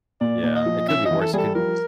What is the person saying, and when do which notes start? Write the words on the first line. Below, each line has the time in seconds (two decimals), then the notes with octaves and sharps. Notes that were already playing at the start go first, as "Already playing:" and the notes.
Yeah, it could be worse, it could be s
0.21 A#2 D5
0.43 A#2
0.55 D#5
0.66 F3
0.88 C#4 E5
1.05 D#5
1.11 E3
1.21 A4
1.33 G3 G#4 A4
1.55 F3 A#4